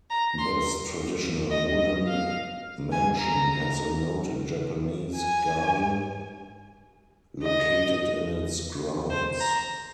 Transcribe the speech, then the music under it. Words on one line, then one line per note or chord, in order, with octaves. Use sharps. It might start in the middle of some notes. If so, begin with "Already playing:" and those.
This traditional wooden mansion has a noted Japanese garden located in its grounds.
A#5
C6
D#5
D#5
F5
G#5
A#5
G#5
D#5
C5
A#5